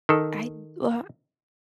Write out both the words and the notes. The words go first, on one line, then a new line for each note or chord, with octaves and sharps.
I uh,
D#3 A4